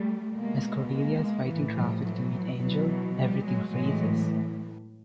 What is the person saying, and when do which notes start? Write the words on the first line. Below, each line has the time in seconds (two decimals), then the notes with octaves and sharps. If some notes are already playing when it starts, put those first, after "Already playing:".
As Cordelia is fighting traffic to meet Angel, everything freezes.
Already playing: G3 A3
0.34 B2 G#3 A#3
0.90 G#3 A#3
1.47 A2 E3
1.74 F3 G3
2.03 E3 F#3
2.59 B2 E3 F#3
3.16 F3 G3
3.43 F#3 G#3
3.71 A2 E3 F#3 G#3